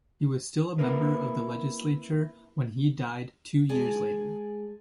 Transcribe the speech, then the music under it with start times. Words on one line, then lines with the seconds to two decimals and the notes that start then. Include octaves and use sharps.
He was still a member of the legislature when he died two years later.
0.78 A#3 C4 E4 A#4 B4
3.69 G#3 G#4 D5 G#5 A5